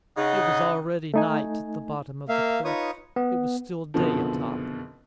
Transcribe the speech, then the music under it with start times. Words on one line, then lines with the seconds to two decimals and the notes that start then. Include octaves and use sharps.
It was already night at the bottom of the cliff; it was still day at top.
0.17 C#3 D#4 D#5 F#5
1.14 A3 D#4 G#5
2.29 A#3 E5 F5
2.64 D#4 F4 B4 C#5 C#6 D#6
3.16 B3
3.94 F#1 F2 B2 D3 F3